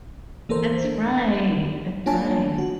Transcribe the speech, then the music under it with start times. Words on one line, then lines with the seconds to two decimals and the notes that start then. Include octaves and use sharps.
That's right, that's right.
0.49 E3 A#3 A4 A#4 C5
0.85 D4
2.06 A#3 D4 F4 C#5 G#5 A5
2.58 F#4